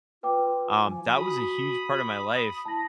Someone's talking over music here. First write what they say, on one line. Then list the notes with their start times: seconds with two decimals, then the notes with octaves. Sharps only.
um, that was a huge part of my life,
0.23 F4 B4 G5 D6
0.85 F3 G#5
1.08 F#4 B5 D#6
2.65 E4 A5 A#6